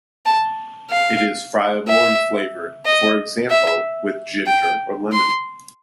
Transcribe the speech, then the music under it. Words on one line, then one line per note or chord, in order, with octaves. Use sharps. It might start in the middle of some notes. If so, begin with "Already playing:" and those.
It is friable and flavoured, for example, with ginger or lemon.
A5
F5
E5
D#5
E5
G5
C6